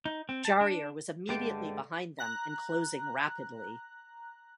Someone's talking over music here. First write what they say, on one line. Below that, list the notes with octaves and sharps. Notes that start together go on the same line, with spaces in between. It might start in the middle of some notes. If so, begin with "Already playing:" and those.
Jarier was immediately behind them and closing rapidly.
D#4
C4
A5
D4
G2 D3 G#3 A3 D5 G5
A#5 F#6